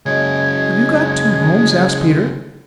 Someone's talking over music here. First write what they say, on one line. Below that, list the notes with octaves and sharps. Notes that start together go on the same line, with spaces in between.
"Have you got two homes?" asked Peter.
C#3 F#3 G#3 C#5 D#5 G#6